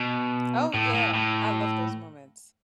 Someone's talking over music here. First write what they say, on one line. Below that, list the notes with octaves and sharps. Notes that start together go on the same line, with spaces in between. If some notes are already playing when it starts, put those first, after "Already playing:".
Oh yeah, I love those moments.
Already playing: B2
A2
A2
A2